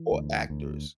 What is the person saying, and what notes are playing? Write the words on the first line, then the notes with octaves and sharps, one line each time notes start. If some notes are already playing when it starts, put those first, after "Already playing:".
or actors,
Already playing: E3
D2
D2